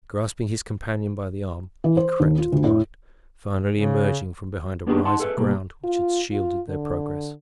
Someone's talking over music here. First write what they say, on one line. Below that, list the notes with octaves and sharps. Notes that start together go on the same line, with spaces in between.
Grasping his companion by the arm, he crept to the right, finally emerging from behind a rise of ground which had shielded their progress.
E3
C5
D#2
F4
D2
A2
C#3
A#3 B3 D4 D#4 G4 G#4
D#4 F#5 A5 C6
G#4 A4 B4 E5
B2 G3 A#3
F4
F4
D3